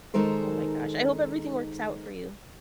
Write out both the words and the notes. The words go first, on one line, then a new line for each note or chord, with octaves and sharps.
Oh, my gosh. I hope everything works out for you.
D#3 G#3 D#4 A4 A#4 C5